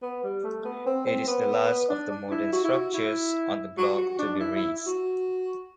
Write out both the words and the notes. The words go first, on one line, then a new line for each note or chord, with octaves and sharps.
It is the last of the modern structures on the block to be razed.
B3
G3
A3
B3
C4
C4
B3
D4
D4
E4
F#4
E4
F#4
E4
F#4
F#4
D4
D4
E4
E4
F#4